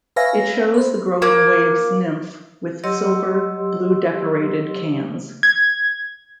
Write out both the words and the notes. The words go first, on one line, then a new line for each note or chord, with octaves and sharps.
It shows the growing waves nymph with silver, blue decorated cans.
B4 C#5 E5 F5 G#5 A#6
B4 C5
A#3
F#3 G4 C#5 D#5 C6 E6
G#6